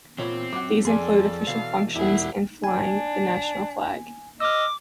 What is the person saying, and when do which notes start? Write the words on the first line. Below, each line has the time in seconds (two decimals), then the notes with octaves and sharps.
These include official functions and flying the national flag.
0.18 E2 A#2 C4 C#5 B5
0.53 F#2 F#5 D6
0.85 F2 G#4 A4 D5 G#5 C6
1.48 B2 E3 F5
1.96 E1 E4 G4 F#5 G#5
2.64 D4 G#5
4.40 D#5 D6 E6 F6